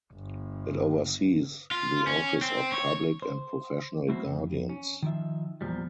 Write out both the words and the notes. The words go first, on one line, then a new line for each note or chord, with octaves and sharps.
It oversees the Office of Public and Professional Guardians.
G1
F4
C#4
C4
C#5
C5
A3 C4 E4 F#4 C5
F2
C#4
D#3 F3 E5
E2 A#2 F3 G3